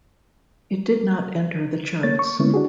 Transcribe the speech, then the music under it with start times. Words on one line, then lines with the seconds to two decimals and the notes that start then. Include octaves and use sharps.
It did not enter the charts.
2.03 A#3 C#5 A6
2.19 C#6
2.39 D3 G#3 A#3 B3 C#4 E4
2.54 D4 F#4 G#4